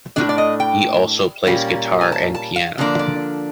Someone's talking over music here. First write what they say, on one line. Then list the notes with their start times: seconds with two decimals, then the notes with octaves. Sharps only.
He also plays guitar and piano.
0.16 A2 F#3 A3 D4 D5
0.29 D5
0.38 D#5
0.60 G5
1.47 A#2 G3 A#3 C#4
2.01 G#5
2.12 A5
2.35 A5
2.56 F5
2.78 D3 F3 A#3 D4
2.99 D5